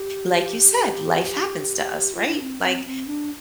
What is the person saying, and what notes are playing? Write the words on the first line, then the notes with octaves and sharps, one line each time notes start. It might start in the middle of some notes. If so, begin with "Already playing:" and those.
like you said, life happens to us, right? Like
Already playing: G4
F4
D4
C4
C4
C4
D4